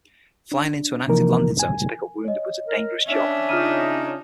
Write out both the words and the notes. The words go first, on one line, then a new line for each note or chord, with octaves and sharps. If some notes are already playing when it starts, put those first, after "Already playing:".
Flying into an active landing zone to pick up wounded was a dangerous job.
D4
C3 E3 F3 A#3 D#4 A#4
G#5
C#5 D#5
A#4
C#4 D4 E5
C#3 D#4 F4 F6 D#7